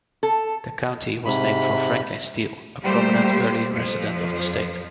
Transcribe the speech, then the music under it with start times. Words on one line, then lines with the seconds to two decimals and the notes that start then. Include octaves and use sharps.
The county was named for Franklin Steele, a prominent early resident of the state.
0.23 A4
1.25 G#2 C3 B5
2.84 G3 A3 A#3 G4 C5
3.73 F2 F3